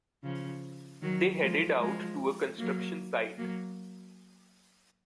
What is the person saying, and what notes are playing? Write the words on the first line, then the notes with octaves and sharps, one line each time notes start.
They headed out to a construction site.
C#3 F3
D#3 F#3
F3 G#3
F3 G#3
F#3 A#3
F#3 A#3